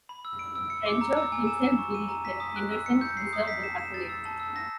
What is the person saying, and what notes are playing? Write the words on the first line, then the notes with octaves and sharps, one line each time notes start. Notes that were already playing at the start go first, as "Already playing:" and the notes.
Trenchard himself believed that Henderson deserved the accolade.
B5
E6
D7
E6
C#7
D6
A#5
E6
G#5
E7
E7
C#6
D#7
A#5
B6
D#6
F#6
E6
C#7
G6
C7
D#6
B6
E7
E7
A6
E6
A5
E6
A#6